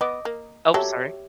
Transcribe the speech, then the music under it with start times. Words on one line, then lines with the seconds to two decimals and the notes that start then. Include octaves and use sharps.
Ope, sorry.
0.01 B3 D#5 D6
0.25 A#3
0.74 F#3 G4 A4 C#5 E5